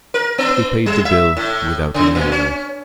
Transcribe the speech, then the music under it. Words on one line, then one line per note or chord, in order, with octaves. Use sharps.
We paid the bill without a murmur.
A#4
B3
G3
E5
A2
C#3
A#2
C#4